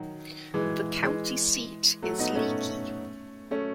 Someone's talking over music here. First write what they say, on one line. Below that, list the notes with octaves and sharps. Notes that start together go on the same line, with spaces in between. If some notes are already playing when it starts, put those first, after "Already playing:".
The county seat is Leakey.
Already playing: D#3 F#3
E3 G#3
E3 G#3
F#3 A3
B3 D#4
A3 C#4
A3 C#4